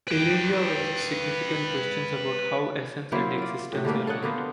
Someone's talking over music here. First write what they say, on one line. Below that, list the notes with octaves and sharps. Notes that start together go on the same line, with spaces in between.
Illyria raises significant questions about how essence and existence are related.
B4 G5
F#3 A#3 E4 C5
F4 D5
A2 C3 F#4
D3 G3 A3 A#3
A4 C#5 D#5 F#5
D3 A#3 B3 C5